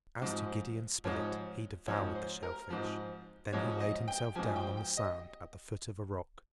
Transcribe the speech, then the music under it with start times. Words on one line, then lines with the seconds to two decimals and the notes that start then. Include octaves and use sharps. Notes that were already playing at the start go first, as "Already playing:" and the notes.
As to Gideon Spilett, he devoured the shell-fish, then he laid himself down on the sand, at the foot of a rock.
0.22 G#2 F3
1.04 G#2 F3 C#5
1.87 G#2 F3 C#5
2.15 C5
2.43 A#4
2.70 G#2 F3
3.53 G#2 F3 C#5
3.80 D#5
4.08 G5
4.35 G#2 F3 G#5
4.56 G5
4.77 G5
4.97 D#5